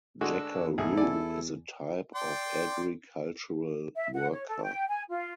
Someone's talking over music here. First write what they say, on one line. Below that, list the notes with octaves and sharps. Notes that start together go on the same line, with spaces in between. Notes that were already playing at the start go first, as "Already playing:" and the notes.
"Jackaroo" is a type of agricultural worker.
D3 G#3 D4 F#4 E6
E2
C2 E4 G#4 A4
D5 G#5
D5 G5 C6
E5
F#5
C#5
A4
G5
G#5
F4